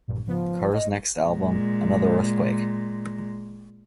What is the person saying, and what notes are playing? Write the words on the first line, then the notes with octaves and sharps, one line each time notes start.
Carter's next album, Another Earthquake!
A#1 G2 A#2
G#2 C#3 F3 B3
A#3
D#5
A#2 G#3